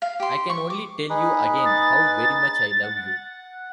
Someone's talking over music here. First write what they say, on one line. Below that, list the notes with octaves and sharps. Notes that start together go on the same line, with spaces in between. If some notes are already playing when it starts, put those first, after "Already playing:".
I can only tell you again, "how very much" I love you.
F5
G4 C6
C#6
D6
D#4 G#4 B4
A6
F#5